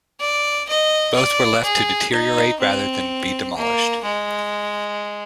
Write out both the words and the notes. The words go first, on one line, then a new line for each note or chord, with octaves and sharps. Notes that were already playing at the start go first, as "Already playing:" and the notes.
Both were left to deteriorate rather than be demolished.
D5
D#5
D5
G#4
D#4
C4
A#3
G#3